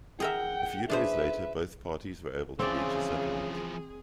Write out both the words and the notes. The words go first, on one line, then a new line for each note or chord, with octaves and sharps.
A few days later both parties were able to reach a settlement.
G#4 A#4 E5 F#5 G5
D4 G#4 B4 C5 E5
C#3 E3 F3 C4 G#4 D5